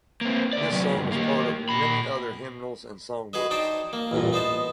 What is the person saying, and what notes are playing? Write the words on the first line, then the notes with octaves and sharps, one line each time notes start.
The song is part of many other hymnals and songbooks.
A#3 C4
D2 D5
C3 F#3
D2 G2
A#3 G4
A#2 B5
F#4 G#4 B4 D#5
D4 D#4 C5 G5 A5
A#3
A1 E2 G2 A#2
B3 C5 D#5 A5